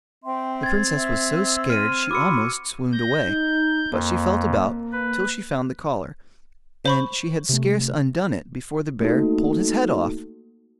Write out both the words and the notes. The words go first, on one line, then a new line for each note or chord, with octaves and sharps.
The Princess was so scared she almost swooned away; but she felt about till she found the collar, and she had scarce undone it before the bear pulled his head off.
C4 E5 G5 C6
G#6 A6
E5 E6
C6 F6 D#7
F#4 B5 C6 D6 E6 C#7
G6 A#6
D#4
F2 A#3
B4
C5 B5 C#6
C3 A3
A3 A#3 D#4 F#4 A4